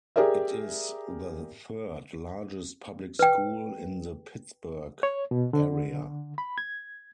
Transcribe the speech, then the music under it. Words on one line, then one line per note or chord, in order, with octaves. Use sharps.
It is the third largest public school in the Pittsburgh area.
G4 G#4 A#4 D5 E5
B4 G5
C#5
B2
D3
B5
G#6